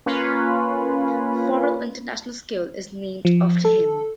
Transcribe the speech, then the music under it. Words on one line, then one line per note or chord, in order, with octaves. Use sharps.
Forel International School is named after him.
A#3 C#4 F4 B4
F3
A4